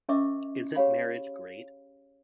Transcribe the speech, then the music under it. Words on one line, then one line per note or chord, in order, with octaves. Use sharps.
Isn't marriage great?
C#4 A#4 D#5 E5 C#6 D6
G4 G#4 C#5 F5 B5